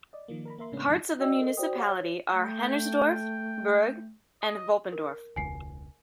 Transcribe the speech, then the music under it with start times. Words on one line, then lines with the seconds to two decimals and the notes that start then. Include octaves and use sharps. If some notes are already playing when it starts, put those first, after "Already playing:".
Parts of the municipality are Hannersdorf, Burg, and Woppendorf.
0.13 D5 D#5
0.28 D#3 F3 A#3
0.45 A#4 A#5 B5
0.58 A#3 A#4 E5 C6
0.72 A2 C#3 G#3 B3 C#4 D4
0.87 F2 D#3 G3 D#4
1.19 F#4 D5 D#5 G5 E6
1.36 A4 A#4 D#5
1.57 F#4 C5 D5 G5 D#6
1.74 G4 C#5 F#5
1.88 C#5
2.32 A3 G5
4.42 D#5
4.92 A#4
5.36 E1 C#2 G#5 C7